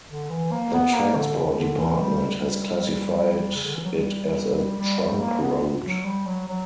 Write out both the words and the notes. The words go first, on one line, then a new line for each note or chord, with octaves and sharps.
The Transport Department has classified it as a trunk road.
D3
E3
A#3
B3
A#3
D3
C#3
D3
E3
G3
C#3
D3
E3
F#3
G3
G3
G3
A#3
B3
F#3
G3
F#3
F#3